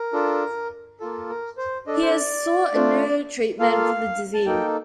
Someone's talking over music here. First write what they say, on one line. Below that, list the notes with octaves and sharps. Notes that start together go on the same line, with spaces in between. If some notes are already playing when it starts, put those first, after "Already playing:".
He has sought a new treatment for the disease.
Already playing: A#4
D4 F4 A4
A#3 F4 A4
A#4
C5
D4 A4 D#5
D5
C5
D5
A3 D4 F4
A#3 F4 A4 F5
A5
A#3 D#4 A4 G5